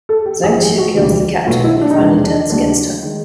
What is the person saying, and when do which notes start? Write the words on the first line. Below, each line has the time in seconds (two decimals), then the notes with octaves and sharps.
Xanxia kills the Captain when he finally turns against her.
0.09 A4
0.26 G4
0.43 G#1 G#2 F3 G#3 G#4
0.61 G4
0.78 F#4
0.95 E1 D2 D3 F3
1.46 B1 B2 F#3 A3 F4
1.64 E4
1.81 D4
1.91 D#4
1.98 E1 E2 C3 F3 G#3 D4
2.24 D4
2.50 D#2 C#3 F#3 A3 D4
3.02 D#3 G#3